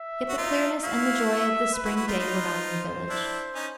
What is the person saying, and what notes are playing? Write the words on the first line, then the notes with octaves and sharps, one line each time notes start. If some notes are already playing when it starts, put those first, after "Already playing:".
Yet the clearness and the joy of the spring day were not in the village.
Already playing: E5
F#4
D#4 F4
E4 F#4 F5
E5
B4
E4 F#4
E4 F#4
D#4 F4
D#4 F4
C5
D4 E4
C#4 D#4